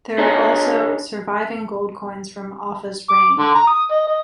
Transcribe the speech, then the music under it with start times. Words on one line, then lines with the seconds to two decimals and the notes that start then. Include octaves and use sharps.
There are also surviving gold coins from Offa's reign.
0.18 D4 G#4 C#5 D#5 A5 A#5
3.09 D6
3.39 D3
3.55 A#5
3.67 D#6
3.92 D#5
4.08 D#5